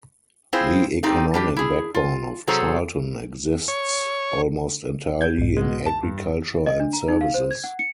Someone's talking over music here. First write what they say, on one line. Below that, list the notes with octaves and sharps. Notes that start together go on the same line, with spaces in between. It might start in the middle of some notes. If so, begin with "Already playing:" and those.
The economic backbone of Charlton exists almost entirely in agriculture and services.
C4 E4 F4 G#4 C5
A3 C4 D#4 G4
G3 D4 G4
E4 G#4
F4
C3 F#3 G#4 A4 C5 A#5
C#5
G6 G#6
B1 G#2
B2 G#3
A5
G2
D#5
D4
A#5
D#4
F5
C5
G#6
F#5
C#7